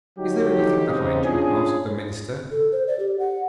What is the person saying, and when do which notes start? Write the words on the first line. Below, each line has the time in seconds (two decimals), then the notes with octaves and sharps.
'Is there anything behind you?' asked the minister.
0.19 D3 F#3 D#4 G4
0.87 C#3 C4 D#4
1.23 C#4 D4 F4 G#4
2.51 A4
2.72 C5
2.87 D5
2.99 G4
3.19 F#5